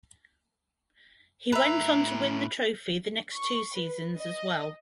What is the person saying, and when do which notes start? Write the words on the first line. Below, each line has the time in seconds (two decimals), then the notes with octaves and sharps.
He went on to win the trophy the next two seasons as well.
1.52 A2 B4 E5 A#5
3.35 C#6
3.75 B4
4.19 D#5